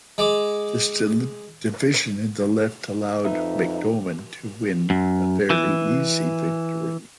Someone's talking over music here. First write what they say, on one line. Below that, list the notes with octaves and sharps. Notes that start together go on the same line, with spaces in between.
This division in the left allowed McDorman to win a fairly easy victory.
G#3 D6
F2 D#4 B4 E5
F#2
E3